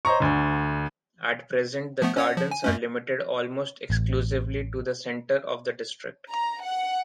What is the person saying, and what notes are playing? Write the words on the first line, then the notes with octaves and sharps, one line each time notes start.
At present, the gardens are limited almost exclusively to the center of the district.
C5 C#5 D#5 A#5 C#6
D2 D3
F3 A3 B3
C#4 C#5 F#5
F3
G#5
F#2 A3 C#4
A1
A#5
F#5